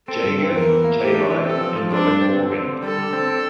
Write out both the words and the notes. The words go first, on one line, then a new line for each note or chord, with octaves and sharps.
Jaeger, Jay Light, and Robert Morgan.
C4 A4
G2
C4
E2 A#4
E3
A#3
E3 G4
D4
E3
C4 A4
F3
F3
C4 D4
G2
C4
D3
C4
D3
G3 A4
D3
C4
D4